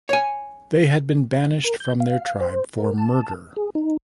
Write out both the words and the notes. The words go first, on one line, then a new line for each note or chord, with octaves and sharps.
They had been banished from their tribe for murder.
C#5 G#5
A#4
G6
F5
C5
A#4
A5
G#4
D#4